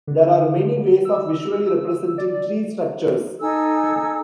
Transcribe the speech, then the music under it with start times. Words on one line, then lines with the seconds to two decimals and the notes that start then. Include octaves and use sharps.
There are many ways of visually representing tree structures.
0.07 D3
1.05 E6
2.18 D5
3.41 D#4 A4 G#5 E6